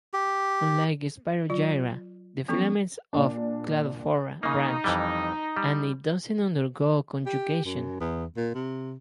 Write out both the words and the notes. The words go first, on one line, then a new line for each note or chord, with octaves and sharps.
Unlike "Spirogyra" the filaments of "Cladophora" branch and it doesn't undergo conjugation.
G4
F#3 F4 D5
F3 B3 C#4 A4 C#6
A#2 D4
C#3 A#3 D#4
F2 E3 G3
G3
G4
F#2
E2
A#2
C3